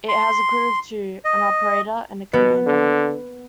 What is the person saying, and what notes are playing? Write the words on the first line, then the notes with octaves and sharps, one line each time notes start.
It has a crew of two, an operator and a commander.
C6
D#5
B2 B3
D3